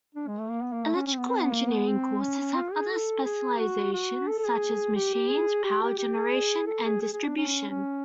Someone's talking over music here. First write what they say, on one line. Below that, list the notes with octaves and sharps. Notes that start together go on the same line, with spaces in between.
"Electrical" engineering courses have other specializations such as machines, power generation and distribution.
D4
G#3
A3
A#3
B3
A#3
A3
C#4
C#4
C4
B3
C4
B3
A#3
B3
C4
C#4
F4
G#4
A4
G#4
F#4
F#4
A4
A4
G#4
G4
G4
G#4
G4
G4
G4
G#4
A4
G#4
G#4
G#4
D4
C#4
C#4